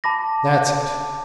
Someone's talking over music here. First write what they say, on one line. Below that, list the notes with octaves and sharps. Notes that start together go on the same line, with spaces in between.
'That's it!
A5 B5 D6 A#6